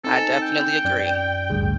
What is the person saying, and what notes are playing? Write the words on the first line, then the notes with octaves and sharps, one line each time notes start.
I definitely agree.
C4 D#4 A4 G#5
G5
F#2 D5
A1 D2 G2 G#4